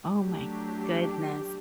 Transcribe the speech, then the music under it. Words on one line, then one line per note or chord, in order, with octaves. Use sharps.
Oh my goodness.
F#3 A3 D4 G4